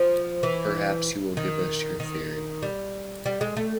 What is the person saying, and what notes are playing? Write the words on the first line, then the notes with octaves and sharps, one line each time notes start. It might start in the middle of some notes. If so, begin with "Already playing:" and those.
Perhaps you will give us your theory.
Already playing: F3
E3
D#3
D#3
G3
G3
G#3
A3